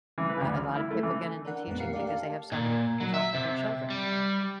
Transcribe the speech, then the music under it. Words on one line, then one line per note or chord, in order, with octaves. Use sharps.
Uh, a lot of people get into teaching because they have summers off with their children.
E3
B4
D2
F6
E4
A3
E3
D4 A#4 F#5
F2 A#2 G#3 B3 C#4 F#5
G4 A#4 F5 C7 C#7
A3 D4 G4 A#4 D5 F5
F5 A5
A#2
F#3
E5
C3
G3